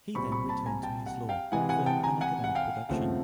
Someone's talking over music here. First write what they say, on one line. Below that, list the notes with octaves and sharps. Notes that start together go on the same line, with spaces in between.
He then returned to his law firm and academic production.
C2 A#2 G3 C4 B5 C#6
B5 C#6
A5 B5
G#5 A#5
G5 A5
F#5
F5 G5
C3 E3 G#3 F#5 G#5
F#5 G#5
G5 A5
G#5 A#5
F#5 G#5
F#5
F5 G5
D#2 C#3 F3 A3 C4 F#5